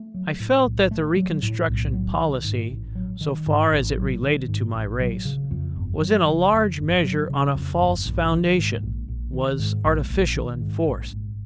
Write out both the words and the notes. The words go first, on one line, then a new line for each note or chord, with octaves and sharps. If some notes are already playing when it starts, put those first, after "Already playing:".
I felt that the Reconstruction policy, so far as it related to my race, was in a large measure on a false foundation, was artificial and forced.
Already playing: A3
F#3
A2
B1
A3
F#3
A2
B1
F#3
D#3
G#2
A1
F#3
D#3
G#2
A1
F#3
D#3
G#2
A1
F#3
C#3
F2
G1
F#3
C#3
F2
G1
F#3
C#3
F2
G1
A#1
D#3
G#2
A#1
A#1
D#3
G#2
A#1
A#1
D#3
G#2
A#1
G#1